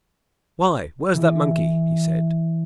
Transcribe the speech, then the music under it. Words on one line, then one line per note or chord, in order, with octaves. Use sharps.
"Why, where's that monkey?" he said.
E3